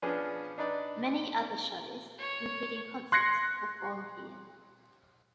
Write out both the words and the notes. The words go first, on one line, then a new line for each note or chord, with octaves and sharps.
Many other shows, including concerts, perform here.
F3 B3 C#4 D4 G#4
D4 D#4 B4 D5
C#5
C6 F#6 G#6 A#6 C7 C#7